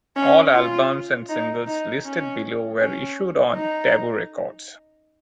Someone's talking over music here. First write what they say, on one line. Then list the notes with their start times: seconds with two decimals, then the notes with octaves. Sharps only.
All albums and singles listed below were issued on Tabu Records.
0.16 C#4
0.53 F4
1.29 D#4
1.67 D#4
2.04 C#4
2.80 C#4
3.56 D#4